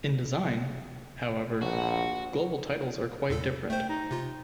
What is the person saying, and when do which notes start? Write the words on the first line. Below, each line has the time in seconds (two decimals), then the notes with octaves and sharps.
In design, however, global titles are quite different.
1.62 A#1 F#4
3.30 E2 A#2 A4
3.70 A3 C5 G5
3.89 D#4
4.11 C3 F4